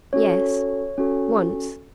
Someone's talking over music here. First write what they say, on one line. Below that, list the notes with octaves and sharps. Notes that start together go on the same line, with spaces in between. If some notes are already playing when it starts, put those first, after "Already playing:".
"Yes, once."
C#4 F#4 A4 C#5
C#4 F#4 A4